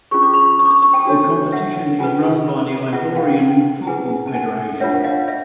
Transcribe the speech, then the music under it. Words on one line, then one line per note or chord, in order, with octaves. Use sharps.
The competition is run by the Ivorian Football Federation.
C#4 F4 G#4 C#6
D6
B5 C#6
C#6 D#6
D6
C#6 D#6
C#6 D#6
G5 A5
D4 F#4 A4 C#5
E5 F#5
C#4 F4 G#4 B4 F#5 G#5
F4 G#4 B4 E5 F#5
F5 G5
G5 A5
E4 G#4 B4 F#5 G#5
A5
F#5 G#5
D4 F4 A#4 C#5 E5 F#5
F#5
D#5 F5
D5 E5